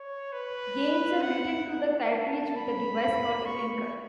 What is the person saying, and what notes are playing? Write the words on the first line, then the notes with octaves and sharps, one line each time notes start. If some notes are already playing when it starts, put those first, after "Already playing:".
Games are written to the cartridge with a device called "linker".
Already playing: C#5
B4
F#5
A5
B5
C#6